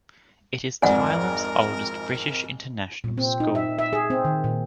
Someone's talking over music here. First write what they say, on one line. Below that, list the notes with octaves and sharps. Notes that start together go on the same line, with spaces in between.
It is Thailand's oldest British international school.
G#1 F2 A#4 D5 F#5 G#5
A#2
C4
D#4
E5
E5
G#4
C4
D#3
A#2